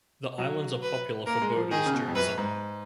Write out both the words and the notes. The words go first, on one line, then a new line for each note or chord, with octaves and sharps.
The islands are popular for boaters during summer.
F#3
B4
A#3 A#4
G#3
F3
D#3 G#4
C#3
B2
F2
F#2 B4
G#2